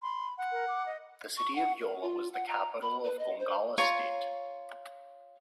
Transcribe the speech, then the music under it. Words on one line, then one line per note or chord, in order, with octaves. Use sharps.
The city of Yola was the capital of Gongola State.
B5 C6
F#5
A#4
D6
D#5
C#6
F#5
A#4
F4
F#5
A#5
B5
B4
D#5
C5
F4 C#5 A#5 C#6